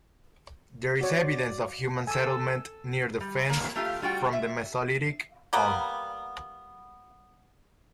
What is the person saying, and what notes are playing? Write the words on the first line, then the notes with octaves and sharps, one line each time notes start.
There is evidence of human settlement near the Fens from the Mesolithic on.
F#4 C#5 D5
A4 G#5 E6
G3
A#3
A3 F4 G4 F5
G3 F4 F#4 G5
E5
G3 A#3 B3